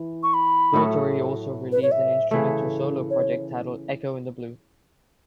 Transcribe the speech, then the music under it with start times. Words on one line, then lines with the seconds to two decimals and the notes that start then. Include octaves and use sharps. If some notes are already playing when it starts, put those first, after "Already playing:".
Daugherty also released an instrumental solo project titled "Echo in Blue".
Already playing: E3
0.23 C#6
0.34 B5
0.74 A2 F#3 A3 F#4
1.72 B4
1.82 C#5
1.92 E5
2.31 C#3 E3 A3
3.10 C#5